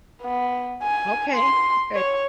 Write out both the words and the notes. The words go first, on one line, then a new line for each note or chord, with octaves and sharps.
Okay, okay.
B3
G#5
C6
C#5